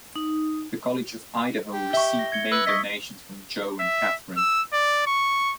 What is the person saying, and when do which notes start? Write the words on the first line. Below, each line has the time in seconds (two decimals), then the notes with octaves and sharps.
The College of Idaho received many donations from Joe and Kathryn.
0.16 D#4
1.73 G4
1.93 E5 C#6 G7
2.19 A#6
2.32 G#6 C#7 G7
2.52 B4 E6
2.67 D#5 C#6 D#6 B6
3.80 E5
4.37 E6
4.73 D5
5.07 C#6